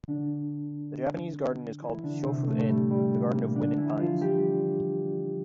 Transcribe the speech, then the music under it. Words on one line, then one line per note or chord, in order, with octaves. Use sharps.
The Japanese Garden is called Shofu-en-the Garden of Wind and Pines.
D3 D4
E3 E4
D3 D4
C3 C4
A2 A3
A3
G3
G3
A#2 A#3
D3 D4
E3 E4
F3 F4
G3 G4